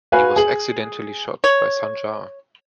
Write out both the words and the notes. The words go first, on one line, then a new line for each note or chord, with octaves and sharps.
He was accidentally shot by Sanjar.
F#4 B4 F5 G#5
G#4 F#7
C#5